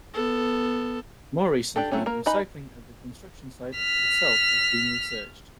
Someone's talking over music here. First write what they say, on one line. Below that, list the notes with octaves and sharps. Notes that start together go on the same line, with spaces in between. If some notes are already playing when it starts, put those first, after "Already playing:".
More recently, recycling at the construction site itself is being researched.
B3 A4
D4 G4 A4
F#3 A3 C4 C#4
A#3 A#4
D#4 B4 D#5 G#5 B5
F6 B6